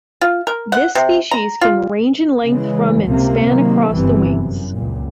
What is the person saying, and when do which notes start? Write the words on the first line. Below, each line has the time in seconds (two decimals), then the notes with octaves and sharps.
This species can range in length from and span across the wings.
0.21 F4
0.47 A#4
0.72 F#5
0.95 C3
1.31 A#5
1.61 F4
2.48 C#3 E3 G#3
3.05 C#2 C3 A#3
3.46 C3 D#3 F#3 A#3
3.92 G1 G2 C3 E3
4.32 F#2
4.74 C#2 A#2